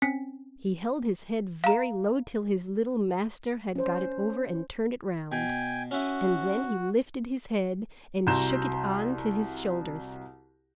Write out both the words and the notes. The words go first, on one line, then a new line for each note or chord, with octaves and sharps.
He held his head very low till his little master had got it over and turned it round, and then he lifted his head, and shook it on to his shoulders.
C4 C#4 B6 C#7
F5 A#5
C#4 C5
B2 G5 G#5
C#4 E4 F#4
C2 F#4 A#5 C6 G6 E7